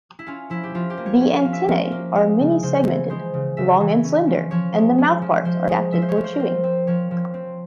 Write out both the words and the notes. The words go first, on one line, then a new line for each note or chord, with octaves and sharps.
The antennae are many-segmented, long and slender, and the mouthparts are adapted for chewing.
E4
C#4 F4
F3 E4
G4
F3 F4
G4
A#3
C#5
C#4
F5
F3
E5
F3 F5
A#3
G#3
C#3
C#3 C5
E3
G#3 C5
C#3
C#3 E5
E3
C#4
F3
F3 C#5
G#3
C#4
F3
F3 C5
G#3
F3 E5
C5
C#5
F3
C5
A#4
C4 C5
C4
F3 C#5
F3
C4